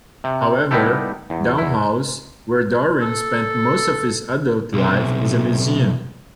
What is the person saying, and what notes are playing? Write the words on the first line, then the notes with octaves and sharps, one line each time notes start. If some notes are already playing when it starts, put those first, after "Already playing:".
However, Down House, where Darwin spent most of his adult life, is a museum.
C3
G3 B3 D#4 E4 G4 A4
E2
E2 E4
A4
B1 C3